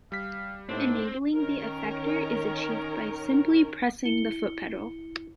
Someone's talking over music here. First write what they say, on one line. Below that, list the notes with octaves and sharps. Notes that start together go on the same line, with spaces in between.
Enabling the effector is achieved by simply pressing the foot pedal.
G3 F5 B6
A2 A#3 C4 D4 D#4
D#3 C#4 A#4
E4 C#7 G7